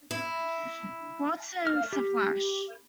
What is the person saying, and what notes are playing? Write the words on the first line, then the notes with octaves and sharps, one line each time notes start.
Quartz and Sflash.
E4
F6
G4